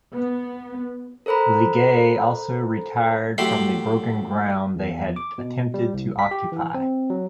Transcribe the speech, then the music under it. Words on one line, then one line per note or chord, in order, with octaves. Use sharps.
Legeay also retired from the broken ground they had attempted to occupy.
B3
A4 A#4 C5 A#5 B5
A2 F#3 G4 E5 B5 C6
E2
D6
B2
G3
C2
B6
G4
E3
C4
F#3